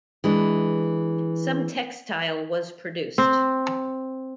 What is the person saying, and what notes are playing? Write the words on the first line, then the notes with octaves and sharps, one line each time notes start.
Some textile was produced.
E3 G#3 D4
C4